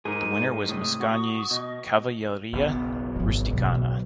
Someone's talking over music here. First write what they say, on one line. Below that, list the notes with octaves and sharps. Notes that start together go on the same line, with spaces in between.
The winner was Mascagni's "Cavalleria rusticana".
G#2 D#4 G#4 A#4 D#7
A2 C3 D#6
F#4 C#6
B2 D#5
F#1 B1 B3
G#1 C#3
B2